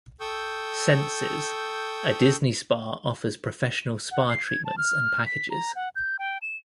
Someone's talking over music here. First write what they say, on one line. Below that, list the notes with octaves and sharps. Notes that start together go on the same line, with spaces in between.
Senses - A Disney Spa offers professional spa treatments and packages.
A4 G5 C#6 D#6 E6 G6
F#5
C7
G#6
A5
F6
B6
A#5
F#5
G6
G5
E7